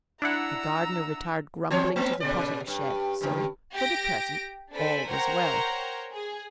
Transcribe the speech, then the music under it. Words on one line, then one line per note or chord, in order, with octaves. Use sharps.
The gardener retired grumbling to the potting shed, so, for the present, all was well.
D4 E4 F#5 A#5 E6
E3 C4 C#5
A3 B3
A#2 C#3 D5
G2
G2 C#3
G4 A#6 D7
D4 A4 C5 G#5 B5
A#4 C5 C#5 F#5 G5 A#5
G#4